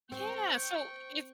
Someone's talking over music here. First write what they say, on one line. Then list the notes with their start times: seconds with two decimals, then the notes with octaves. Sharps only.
Yeah. So if
0.12 C4 G5 C#6